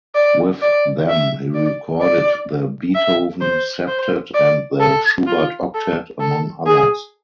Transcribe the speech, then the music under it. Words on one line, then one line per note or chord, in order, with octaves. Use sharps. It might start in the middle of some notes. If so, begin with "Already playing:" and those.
With them he recorded the "Beethoven Septet" and the "Schubert Octet" among others.
D5
D5
E5
D5
D5
E5
C5
C5
D5
A4
F4
A4
A4
G#4